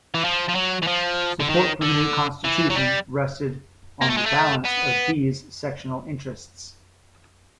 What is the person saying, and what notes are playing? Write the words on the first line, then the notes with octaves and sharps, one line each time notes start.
Support for the new Constitution rested on the balance of these sectional interests.
E3
F3
F3
F#3
E3
F3
D3
D#3
D3
E3
F#3
G3
A#3
A3
G#3
A3
B3